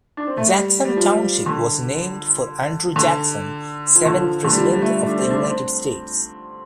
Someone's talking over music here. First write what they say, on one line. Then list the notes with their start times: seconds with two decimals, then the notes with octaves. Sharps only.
Jackson Township was named for Andrew Jackson, seventh President of the United States.
0.17 D4
0.27 C4
0.37 A3
0.47 G3
0.85 G3
0.97 F3
1.46 D3
2.96 D3
3.95 F3
4.05 D3
4.17 F3
4.45 D3
4.53 G3
4.57 F3
4.70 G3
4.82 A3
5.07 D4
5.18 C4
5.30 D4
5.44 C4